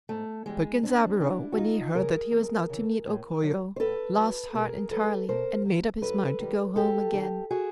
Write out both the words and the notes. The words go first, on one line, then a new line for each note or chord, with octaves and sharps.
But Genzaburo, when he heard that he was not to meet O Koyo, lost heart entirely, and made up his mind to go home again.
G#2 A3
E3 G3 G#3
G#2 C4 D4
E3 G3 D4 E4
F#4
E2 D#4 F4
C#3 E3 G#4 A#4
E2
C#3 E3
A2
F#3
C5
A2 A4 B4
F#3
B2 G#4 A#4
F#3 A4 B4
B2 A#4 C5
F#3
F#2 A4 B4
D#3 G3
F#2 G4 A4
D#3 G3
F#4 G#4